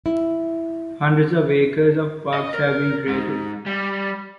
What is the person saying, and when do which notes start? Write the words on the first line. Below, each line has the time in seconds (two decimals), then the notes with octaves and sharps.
Hundreds of acres of parks have been created.
0.06 E4
2.34 D#5
2.54 A#4
3.08 G#2
3.66 G3